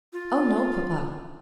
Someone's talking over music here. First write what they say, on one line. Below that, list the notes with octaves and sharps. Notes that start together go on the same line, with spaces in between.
"Oh no, papa."
F4